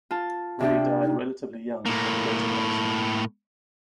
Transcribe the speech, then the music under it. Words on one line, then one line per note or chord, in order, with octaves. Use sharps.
Ray died relatively young of breast cancer.
F4 A5
C3 D4 G4 E5
D#4
A2 A#3